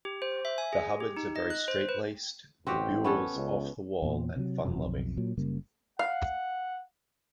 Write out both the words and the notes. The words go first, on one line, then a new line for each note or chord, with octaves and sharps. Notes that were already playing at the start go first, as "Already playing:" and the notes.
The Hubbards are very straitlaced, the Buells off-the-wall and fun-loving.
G4
C5
E5
G#5
G#4
G4
D#4
D#5
F#6
C5
B4
A1 C4 F#4 G4
B3 C#4 A4
C#2
E2 A#2
C3 D#3 F#3
E1 F#2 C3 F#3
B1 F2
A#2 F#3
F#1 C#3 G3 A#3
F5 F#5